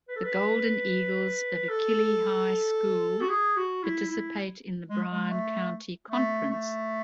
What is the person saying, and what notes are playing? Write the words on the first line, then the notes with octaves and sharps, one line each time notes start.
The Golden Eagles of Achille High School participate in the Bryan County Conference.
B4
A4
B4
A4
F#4
G#4
F#4
E4
E4
G#3
G#3
A3
A3
A3